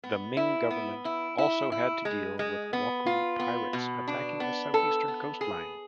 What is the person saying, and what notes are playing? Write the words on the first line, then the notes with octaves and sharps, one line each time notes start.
The Ming government also had to deal with wokou pirates attacking the southeastern coastline.
B3
E4
B3
E4
E4
E4
G#3
G#3
B3
F4
B3
B2
D4
B3
A4
B3
G#4